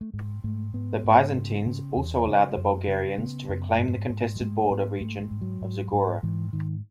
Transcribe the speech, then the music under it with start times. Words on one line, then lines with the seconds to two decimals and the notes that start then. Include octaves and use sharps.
The Byzantines also allowed the Bulgarians to reclaim the contested border region of Zagora.
0.01 A3
0.13 G#2 G#3
0.44 G#2 A3
0.73 G#2 B3
1.04 G#2
1.35 C#3
1.66 C#3
1.96 E2
2.27 C#3
2.57 F#2
2.88 C#3
3.18 C#3 B3
3.49 F#2
3.78 G#2
4.10 G#2
4.36 F#3
4.40 G#2 G#3
4.64 A3
4.70 G#2 B3
5.01 G#2 A3
5.21 G#3
5.31 G#2
5.41 F#3
5.61 G#2
5.92 G#2
6.23 G#2 E3
6.53 G#2 D#3